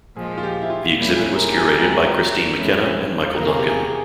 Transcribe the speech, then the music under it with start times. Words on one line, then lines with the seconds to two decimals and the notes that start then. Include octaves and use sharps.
The exhibit was curated by Kristine McKenna and Michael Duncan.
0.16 A#2 F3 G#3 G#4
0.38 F4
0.43 G4
0.62 E4
0.70 F4
0.96 A#2 G3 A#3 C#4 E4
1.16 G#4
1.36 A#4
1.48 G4
1.57 G#4
1.76 E3 G#3 C4 E4 A#4
2.57 F2 E3 G#3 C#4 E4
3.36 E2 C3 E3 A#3 F4 A#4
3.47 G#4
3.58 G4
3.68 G#4